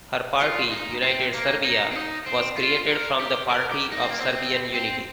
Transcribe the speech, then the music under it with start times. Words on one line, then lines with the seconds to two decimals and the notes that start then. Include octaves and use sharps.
Her party, United Serbia, was created from the Party of Serbian Unity.
0.42 F4
0.72 D#4
1.02 C4
1.34 A#3
1.65 D#4
1.91 C4
1.95 D#4
2.26 C4
2.57 F4
2.88 A#4
3.20 G4
3.50 A#4
3.71 G4
3.92 D#4
4.00 C4
4.10 A#3
4.19 C4
4.74 C4